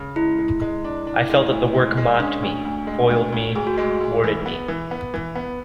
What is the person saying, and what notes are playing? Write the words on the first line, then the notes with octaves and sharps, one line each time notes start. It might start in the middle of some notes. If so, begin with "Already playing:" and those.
I felt that the work mocked me, foiled me, thwarted me.
Already playing: C#3
G#3 E4
G#3
G#3
D4
D4
G#3
D2
G#3
G#3
C#4 D4
D2
D2
G#3
D2
D2
D2 G#4
F#4
G#3 G#4
D2
E3
B3
E3
B3
E3
B3